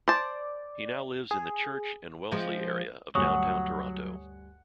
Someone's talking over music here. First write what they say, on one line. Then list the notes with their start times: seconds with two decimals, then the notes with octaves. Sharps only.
He now lives in the Church and Wellesley area of downtown Toronto.
0.08 C5 D5 A5
1.31 G#4
2.31 F3 G#3 C4
3.15 D2 G2 F#3 C#5 F#5 G#5 C#6 D#6